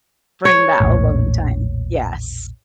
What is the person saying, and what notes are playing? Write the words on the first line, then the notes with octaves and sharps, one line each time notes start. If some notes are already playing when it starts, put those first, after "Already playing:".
bring that alone time. Yes.
C#5
A#1 E2 A2